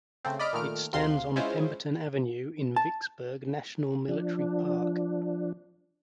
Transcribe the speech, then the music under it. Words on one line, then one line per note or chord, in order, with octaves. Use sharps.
It stands on Pemberton Avenue in Vicksburg National Military Park.
C#3 A3 C4
D5 D#5 B5 F6 D7
A#2 D#3 A3 F6 D7
D2 C3 F5 C6
G#3 C#4 E4 F4 C5
A5
F3 D4